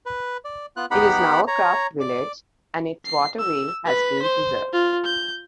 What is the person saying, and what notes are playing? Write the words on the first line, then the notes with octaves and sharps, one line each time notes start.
It is now a craft village and its waterwheel has been preserved.
B4
D5
B3 F4 F#6
B3 D#4 G4 F#5 B5
C#5 A#5
D5 D6
C7
E6
B4 B6
C5
F4
G6